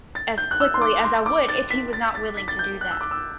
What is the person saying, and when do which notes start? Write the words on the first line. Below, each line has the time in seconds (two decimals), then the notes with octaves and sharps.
as quickly as I would if he was not willing to do that,
0.15 A6
0.38 G6
0.51 F#6
0.60 E6
0.74 C6
0.81 D6
1.04 C6
1.26 D6
1.49 A6
1.70 B6
1.93 A6
2.15 A6
2.37 B6
2.48 A6
2.59 G6
2.81 F#6
2.91 E6
3.01 D6
3.11 E6